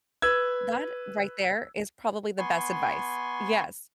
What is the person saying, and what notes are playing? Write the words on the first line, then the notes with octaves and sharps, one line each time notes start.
That right there, is probably the best advice. Yes.
B4 E6 G#6
B3 G#5 C6 C#6